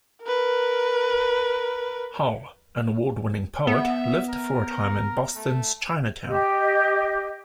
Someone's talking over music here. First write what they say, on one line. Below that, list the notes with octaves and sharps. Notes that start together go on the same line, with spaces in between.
Hull, an award-winning poet, lived for a time in Boston's Chinatown.
A#4 B4
B3 E5
A#4
A3
G4 D#5